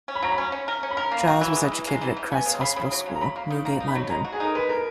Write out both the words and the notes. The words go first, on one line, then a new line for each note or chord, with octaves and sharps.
Giles was educated at Christ's Hospital school, Newgate, London.
C#4
B5
F#3 A#5
B5
C#4
C#4
A#4
C#4
B5
A#4 A#5
A#3
A#5
F#4
E3
G#3
E3
G#3
E3
E3
B3 G#5
C#3
C#3 B5
C#3 B5
F#3
C#3
A#5
F#3 B5
A#3
D#3
A#3 A#5
D#4
B5
F#3
G#3 A#5
F#4
G#4
D#4 A#4
G#3 B4
B2 A#4